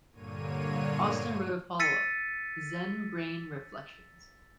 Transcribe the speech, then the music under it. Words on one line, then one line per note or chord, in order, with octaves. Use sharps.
Austin wrote a follow-up, "Zen-Brain Reflections".
G2 A#2 D3 A#3 C#5 D#7
E6 A6 B6 C#7 D#7